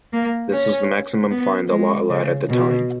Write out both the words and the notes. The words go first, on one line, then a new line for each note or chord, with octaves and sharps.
This was the maximum fine the law allowed at the time.
A#3
C#4
B3
G#3
C#3
B2